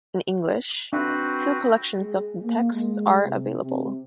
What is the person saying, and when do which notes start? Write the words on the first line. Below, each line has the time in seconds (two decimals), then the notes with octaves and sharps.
In English, two collections of the texts are available.
0.93 C4 D4 F#4 B4
1.98 G#3
2.44 A#3
2.72 G#3
3.24 C3
3.62 C3